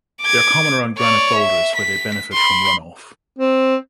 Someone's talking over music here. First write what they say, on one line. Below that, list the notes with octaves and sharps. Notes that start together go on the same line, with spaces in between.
They are common around granite boulders where they benefit from runoff.
D6 G#6
C#5 D5
E5
B6
B5 C6
C4